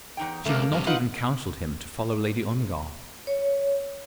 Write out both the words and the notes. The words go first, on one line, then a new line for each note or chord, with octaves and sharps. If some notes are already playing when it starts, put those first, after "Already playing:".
She had not even counselled him to follow Lady Ongar.
E2 D#4 G5
C#2 A3 A#3
G2 C3
D#4 F4 B4 F#5
C#5